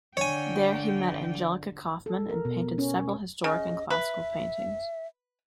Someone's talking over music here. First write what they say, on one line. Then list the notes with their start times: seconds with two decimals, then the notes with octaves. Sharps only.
There he met Angelica Kauffman, and painted several historic and classical paintings.
0.17 D3 C#5 G5 G#5
2.06 A4
2.29 A#4
2.45 B2
2.78 C#4
3.44 C#3 D#5
3.90 B4 E5